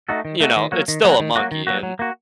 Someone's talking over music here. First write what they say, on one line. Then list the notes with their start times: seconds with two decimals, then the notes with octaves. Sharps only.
you know, it's still a monkey, and,
0.09 A3 D#4 F#4 A4
0.25 D#3
0.40 A3 D#4 F#4 A4
0.56 D#3
0.72 F#3 A#3 F#4
0.88 D#3
1.04 F#3 A#3 F#4
1.20 D#3
1.36 F#3 A#3 F#4
1.51 D#3
1.67 F#3 A#3 F#4
1.83 F#3
1.99 A#3 F#4